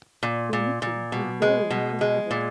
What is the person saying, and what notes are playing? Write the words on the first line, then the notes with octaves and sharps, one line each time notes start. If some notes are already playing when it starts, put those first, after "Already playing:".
Their meeting was very uncomfortable.
A#2
A#2
A#2
B2
G#3
B2
G#3
A#2